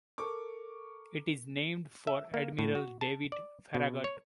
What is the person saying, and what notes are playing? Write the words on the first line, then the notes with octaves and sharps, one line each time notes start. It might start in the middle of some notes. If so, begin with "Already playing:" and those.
It is named for Admiral David Farragut.
A4 A#4 C#6 D6
E5
A#3
A2
F#4
A5
D5
B2
C#5